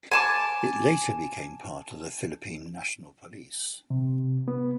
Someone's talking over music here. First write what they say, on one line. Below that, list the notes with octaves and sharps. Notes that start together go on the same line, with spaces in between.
It later became part of the Philippine National Police.
G#5 A5 D6
C3
B3